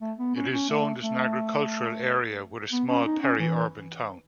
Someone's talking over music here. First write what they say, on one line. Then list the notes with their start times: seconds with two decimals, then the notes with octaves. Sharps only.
It is zoned as an agricultural area, with a small peri-urban town.
0.01 A3
0.18 B3
0.35 C#4
0.52 C#4
0.69 A3
1.03 A3
2.72 B3
2.89 C#4
3.05 D#4
3.23 C#4
3.40 E3